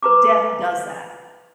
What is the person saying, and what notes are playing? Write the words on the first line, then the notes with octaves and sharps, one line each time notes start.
Death does that.
B4 A#5 D6